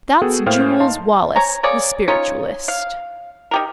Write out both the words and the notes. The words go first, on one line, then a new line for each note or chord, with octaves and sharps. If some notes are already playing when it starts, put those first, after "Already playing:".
"That's Jules Wallace, the spiritualist."
B3 F#4 G#4 A4 G5
A2 A#3 C5 F5 G5 F6
D#4 F5 A5 C6
C#5 G#5 A#5
A#3 G#4 C#5 D5
C#4 D#4 F4 C#5
F5
D#4 G4 A#4